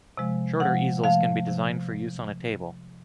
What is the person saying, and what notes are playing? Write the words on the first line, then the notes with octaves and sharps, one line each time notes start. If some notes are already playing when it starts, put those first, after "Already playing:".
Shorter easels can be designed for use on a table.
C3 F3 G#3
C3 F3 G#3 F#5
C3 F3 A3 F5
C3 F3 A3